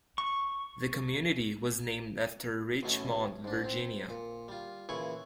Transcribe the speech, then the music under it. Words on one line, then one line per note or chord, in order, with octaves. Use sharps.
The community was named after Richmond, Virginia.
C#6
A1 B2 A3 C#4 D#5
G#2 D4
C4
A#2
G3 F4
A#2 C#3 E3 E4 G#4 C#6